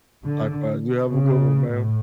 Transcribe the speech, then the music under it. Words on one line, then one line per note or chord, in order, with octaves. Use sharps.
Likewise, you have a good one, ma'am.
D3
C#3
A2